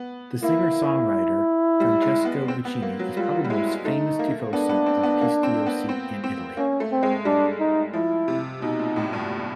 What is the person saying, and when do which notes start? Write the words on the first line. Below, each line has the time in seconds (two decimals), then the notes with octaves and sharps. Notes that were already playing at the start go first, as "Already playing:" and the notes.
The singer-songwriter Francesco Guccini is probably the most famous "tifoso" of Pistoiese in Italy.
Already playing: B3
0.43 A#3 E4
1.80 G3
2.02 G#3
2.25 B3
2.48 C4
2.65 B3
2.82 A#3
2.99 F#3
3.16 G3 F4
3.44 G3
3.50 G#3 E4
3.84 A3 D#4
4.19 A#3
4.53 B3 D4
4.69 B3
4.86 C4
5.03 B3
5.21 A#3
5.43 C4
5.66 B3
5.89 C4
6.24 C4
6.57 A#3 C#4
6.80 A3
6.92 C4
7.03 G#3
7.25 G3 D4
7.59 D#4
7.93 F3 E4
8.28 C3
8.62 B2 D#4
8.79 A#2
8.96 A2
9.13 G2